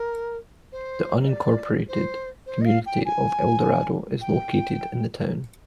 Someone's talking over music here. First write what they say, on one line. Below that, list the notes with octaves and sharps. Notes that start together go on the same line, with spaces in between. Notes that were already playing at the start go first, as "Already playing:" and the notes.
The unincorporated community of Eldorado is located in the town.
Already playing: A#4
C5
D#5
D5
C5
C5
D#5
F5
G5
G#5
G5